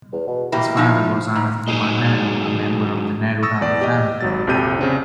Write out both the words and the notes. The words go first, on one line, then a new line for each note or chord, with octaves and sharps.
His father was Anand Kumar Nehru, a member of the Nehru-Gandhi family.
E2
B2
B2 A#3 E4 G4
F3 D#4 F4
G#2
G#2 F#3 D#4 F4 G#4 D#5
C#6 D#6 E6 A6 A#6
E2 D5
G4 D#5
G#1 F#3 A6
A#1 F2 C3 G4 G6 D#7
C#3 C4 D4